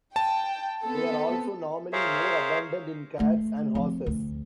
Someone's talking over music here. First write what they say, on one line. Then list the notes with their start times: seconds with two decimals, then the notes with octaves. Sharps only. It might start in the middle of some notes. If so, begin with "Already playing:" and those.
They are also normally more abundant in cats and horses.
0.16 G5 A5
0.85 B3 C4 A4
1.93 G#4 A#4 C5 C#5 E5 F5
3.20 A3
3.75 F3 C4
4.06 D2